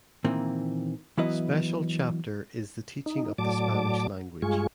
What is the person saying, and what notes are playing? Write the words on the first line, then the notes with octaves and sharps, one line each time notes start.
Special chapter is the teaching of the Spanish language.
A#2 D#3 E3 A#3 C4
E3 F#3 B3 E4 B4 D#5
D#4
A2 F#3 D5 A5 D6
G2 G#3 F4 G#4 C#6